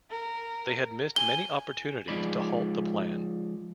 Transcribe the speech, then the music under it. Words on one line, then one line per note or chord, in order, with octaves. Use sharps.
They had missed many opportunities to halt the plan.
A#4
G#5 G7
F3 G#3 D#4 D5 B5